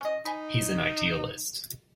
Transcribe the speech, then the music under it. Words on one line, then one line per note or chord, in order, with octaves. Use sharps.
He's an idealist.
C#4 D#5
D#4 G#5 B5